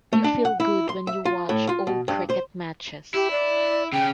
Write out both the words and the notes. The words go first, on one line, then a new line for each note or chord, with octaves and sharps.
You feel good when you watch old cricket matches.
A3
D4
F#5
E4
C6
E5
F4
A2
F4
B2
G2
C5
E4 G4
D5
C#3 G5